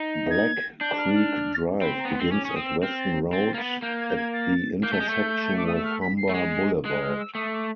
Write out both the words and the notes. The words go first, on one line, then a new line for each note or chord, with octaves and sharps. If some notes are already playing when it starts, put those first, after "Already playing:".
Black Creek Drive begins at Weston Road at the intersection with Humber Boulevard.
Already playing: D#4
G#6
D4 G6
F6
F6
C4 B5
A#5
B3
C4 C6
C#4 D6
C#4 D#6
C4
E6
C4 F6
A6
C4 A6
A#3
B3
A#3 G6
G#6
G6
G#6
A6
A#3 G6
A3
G#3
A3
D6
D#6
E6
F6
B6
C7
A3
G#3
G#3 F#6
F6
E6
A3 D#6
D6